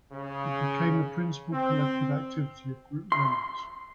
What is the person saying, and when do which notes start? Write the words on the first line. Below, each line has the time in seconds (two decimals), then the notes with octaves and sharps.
It became the principal collective activity of group members.
0.12 C#3
1.52 C4
3.12 C6